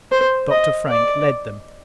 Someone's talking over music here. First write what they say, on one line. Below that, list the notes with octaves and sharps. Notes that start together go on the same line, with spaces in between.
Dr. Frank led them.
C5
D#5
D5